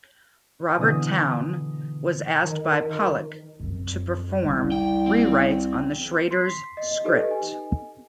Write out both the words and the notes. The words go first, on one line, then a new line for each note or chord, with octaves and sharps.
Robert Towne was asked by Pollack to perform rewrites on the Schraders' script.
B2 D3 E3 D#6
D#3
F#2 C4
C2 C#3 C#4
G5
C4
C6 B6 C7
D#5
D#4 G4 A4 B4 D#5
G#5